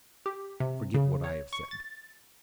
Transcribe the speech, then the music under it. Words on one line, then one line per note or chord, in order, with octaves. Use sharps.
Forget what I have said.
G4
C3
C#3
C#5
C#6
A6